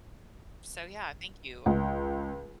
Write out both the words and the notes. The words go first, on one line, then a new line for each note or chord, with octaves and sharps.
so, yeah, thank you.
C#2